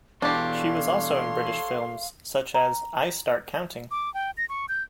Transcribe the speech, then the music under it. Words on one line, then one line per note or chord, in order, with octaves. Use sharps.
She was also in British films such as "I Start Counting".
B2 E3 D4 G4 A4 C#5 F5 C6
A#5
D6
G5
A#6
C#6
G6